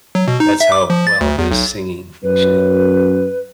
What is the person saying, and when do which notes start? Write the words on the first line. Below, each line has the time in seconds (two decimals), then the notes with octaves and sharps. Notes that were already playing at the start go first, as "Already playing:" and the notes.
that's how well his singing, sh
0.15 F#3
0.28 B2
0.40 D#4
0.61 E5
0.72 D6
0.90 F3
1.07 A6
1.21 D2
1.38 E2
1.51 B1
2.23 F#2 B4